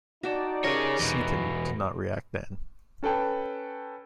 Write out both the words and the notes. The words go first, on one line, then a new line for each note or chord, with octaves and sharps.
Seton did not react then.
D#4 F#4 D5 G5 A5
C#4 G4 G#4 A#4 C#5 A#6
E2 B2
C#4 A4 B4 G5 A5